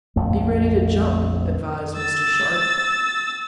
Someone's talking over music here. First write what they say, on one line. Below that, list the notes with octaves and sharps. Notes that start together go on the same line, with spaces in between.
"Be ready to jump," advised Mr. Sharp.
A#1 F2 A3
E6 A6